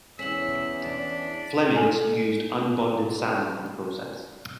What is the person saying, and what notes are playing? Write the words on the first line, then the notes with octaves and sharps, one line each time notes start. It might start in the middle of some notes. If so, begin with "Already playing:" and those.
Flemmings used unbonded sand for the process.
E2 E3 C#4 E6 B6 F#7
D4
A4 G#5